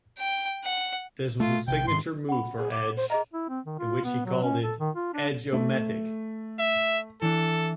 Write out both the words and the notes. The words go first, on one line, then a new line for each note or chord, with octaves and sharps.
This was a signature move for Edge, in which he called it "Edge-O-Matic".
G5
F#5
A3 F4
A#1 C3 G5
G#2 D#3 C6
F#5 B5
G#4
D6
C5
G#4 D#5 E5 A#5
E4
C4
D#3
F4
B3
F#3
C#4
A4
D#3
F4
D4
A3
E5 B6
E3 D4 A4